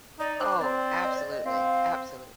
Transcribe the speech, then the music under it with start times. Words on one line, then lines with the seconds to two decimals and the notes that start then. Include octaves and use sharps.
Oh, absolutely, absolutely.
0.19 D#4 D5
0.40 D4 C5
0.61 C4 D5
1.04 D#5
1.13 C5
1.18 D5
1.31 D#5
1.45 C4 F5